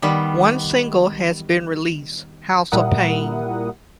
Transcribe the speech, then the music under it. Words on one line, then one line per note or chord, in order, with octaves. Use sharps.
One single has been released, "House of Pain".
D#3 G3 B3
A#2 G3 E4 A#4 F#5 D#6